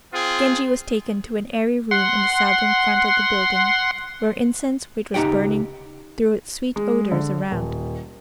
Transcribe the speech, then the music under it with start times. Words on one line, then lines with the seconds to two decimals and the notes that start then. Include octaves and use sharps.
Genji was taken to an airy room in the southern front of the building, where incense which was burning threw its sweet odors around.
0.13 C4 F4 G#4
1.91 F#5 C6
5.14 C#2 D#4 G4 F#5 G5
6.76 G#3
7.12 D3
7.51 D#1